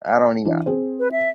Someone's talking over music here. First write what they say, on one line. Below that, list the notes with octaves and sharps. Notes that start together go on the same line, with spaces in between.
I don't need a
E3 D4
C4 G#4 C5
B4
E5